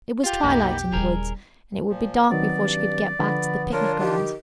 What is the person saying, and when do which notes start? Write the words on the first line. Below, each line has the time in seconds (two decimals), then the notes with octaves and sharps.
It was twilight in the woods, and it would be dark before she could get back to the picnic-grounds.
0.24 F4 G4
0.43 B1 F2 A#3 B3 D#4
0.93 D#1 G3 G#4 A#4
1.89 A#2 F3
2.30 D#3 F#3 B3 C4 D5
2.62 G2
3.19 D3 F3 B3 B5
3.73 D4 F4 A#4 C#5
4.00 D#3 G4